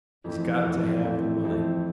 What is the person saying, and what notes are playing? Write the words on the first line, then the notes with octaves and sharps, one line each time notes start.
He's got to have the money.
F2 E3 A3 C4 E4
F2 E3 A3 C4 E4
F2 E3 A3 C4 E4
F2 E3 A3 C4 E4